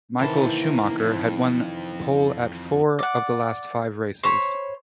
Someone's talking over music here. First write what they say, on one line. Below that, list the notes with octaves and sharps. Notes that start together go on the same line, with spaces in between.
Michael Schumacher had won pole at four of the last five races.
C3 D#3 E3 A#3 A5
F2
D5 F#5
C5 C#5 B5